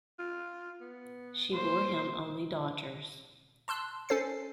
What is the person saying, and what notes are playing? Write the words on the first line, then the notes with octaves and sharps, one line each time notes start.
She bore him only daughters.
F4
B3
A#3 C5
A5 C6 E6 F#6
C#4 A4 C5 A6 C7